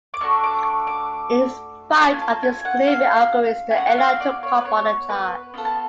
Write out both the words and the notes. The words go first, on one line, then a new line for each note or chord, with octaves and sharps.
In spite of these gloomy auguries the airline took off on the charge.
D6
A3 D4 F#4 A4 C#6
D6
D6
C#4 F4 A4 B5
G#5
A5
G#5
F#5
F5
G#5
B3 D4 F#4 F#5
F5
D5
C#5
B4
C#5
B4
B3 F4 A4
A5